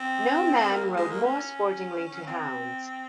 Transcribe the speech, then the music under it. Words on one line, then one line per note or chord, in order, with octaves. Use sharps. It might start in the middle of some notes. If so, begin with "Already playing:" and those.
No man rode more sportingly to hounds.
Already playing: C4
A#3
G3
G#3
A#3
C#4
C4